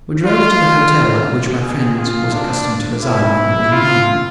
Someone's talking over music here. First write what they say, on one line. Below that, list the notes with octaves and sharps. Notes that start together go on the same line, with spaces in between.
We drove to the hotel at which my friend was accustomed to reside when he was in London.
F4
G#4
F4
D4
E4
F4